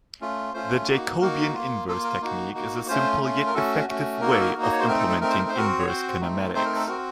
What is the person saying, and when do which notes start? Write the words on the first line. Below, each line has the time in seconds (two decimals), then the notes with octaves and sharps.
The Jacobian inverse technique is a simple yet effective way of implementing inverse kinematics.
0.21 A3 C#4 F4
0.54 A3 C#4 F4 C5
0.88 A#3 D#4 F#4
1.21 A#3 D#4 F#4 A#4
1.54 A#3 F4
1.88 A#3 F4 A4
2.04 A#4
2.21 A#3 D#4 F#4
2.54 A#3 D#4 F#4
2.88 A3 C#4 F4 C5
3.20 A3 C#4 F4
3.47 A#4
3.54 A3 C#4 F#4 A4
3.88 A3 C#4 F#4
4.20 A#3 D#4 F#4 A#4
4.32 A4
4.41 A#4
4.54 A#3 D#4 F#4
4.63 D#5
4.71 C#5
4.79 C5
4.87 A3 C4 D#4 A#4
4.99 A4
5.10 A4
5.21 A3 C4 D#4 A#4
5.30 C5
5.39 A#4
5.48 C5
5.54 C4 F#4 A#4
5.79 C#5
5.87 C4 F#4 C5
6.21 A3 C4 D#4
6.54 A3 C4 D#4 C5
6.65 A#4
6.76 A4
6.87 C4 F#4 A#4